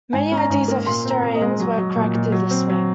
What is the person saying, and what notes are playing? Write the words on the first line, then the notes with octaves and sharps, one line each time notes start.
Many ideas of historians were corrected this way.
G#2 G#5
C#4
A#5
G#2
A#3
A#2 C6
C4
A#5
A#2
D#5
G#3
F#3
F#3
A#2
A#2
F#3
C4
F#3